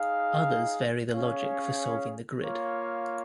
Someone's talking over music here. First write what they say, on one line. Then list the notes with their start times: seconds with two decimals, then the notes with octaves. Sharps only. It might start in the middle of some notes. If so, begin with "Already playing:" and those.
Others vary the logic for solving the grid.
Already playing: D#4 G#4 F5
1.12 C#4 G#4 C#5 F5
2.42 A#3 F4 C#5 F5